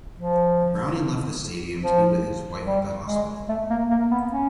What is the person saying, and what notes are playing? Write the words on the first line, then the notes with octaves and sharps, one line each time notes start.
Browning left the stadium to be with his wife at the hospital.
F3
F3
G3
G#3
A3
A#3
A#3
B3
C#4